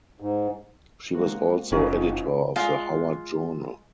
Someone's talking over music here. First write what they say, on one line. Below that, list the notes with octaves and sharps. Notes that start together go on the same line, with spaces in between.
She was also editor of the "Howard Journal".
G#2
G#3 A#3 C4 F#4
F#1 C#4 D#4 F4
G#3 F4 F5